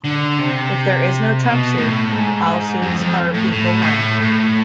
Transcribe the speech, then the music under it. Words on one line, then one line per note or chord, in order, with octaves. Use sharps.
If there is no trump suit, all suits are of equal rank.
D3
C3
B2
A2
G#2
F2
F2
A2
A2
B2
A2
A2